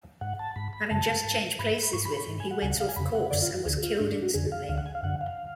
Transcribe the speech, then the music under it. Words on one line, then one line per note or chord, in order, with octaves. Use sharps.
Having just changed places with him, he went off course and was killed instantly.
G#2 F#5
A5
G#2 B5
B5
F#2 C#3 A5
G#2
G#2 B5
B5
B5
G#2 C#6
B5
B5
G#2
G#5
F#5
D2 C#3 G#5
F#5
F5
G#5
F2 C#3 B5
F#5
F#2 D3 D5
F4
F#4
D2 D3 G#4
F4
G#2 D4
D4
F#4
F2 D3 G#4
F5
D2 D3 F5
F#5
G#5
F5
F#2 D3 F#5
F5